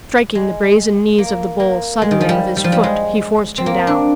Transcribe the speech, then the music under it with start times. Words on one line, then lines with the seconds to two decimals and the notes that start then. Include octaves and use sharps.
Striking the brazen knees of the bull suddenly with his foot he forced him down.
0.35 G#3
1.18 A#3
1.60 A#3
2.02 G#3
2.11 D#3
2.21 F3
2.29 G3
2.57 G3
2.64 F3
2.72 G3
2.83 G#3
3.58 C4
3.66 A#3
3.87 D4